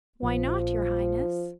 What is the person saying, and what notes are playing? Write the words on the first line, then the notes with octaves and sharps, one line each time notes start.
"Why not, your Highness?"
A#1 F3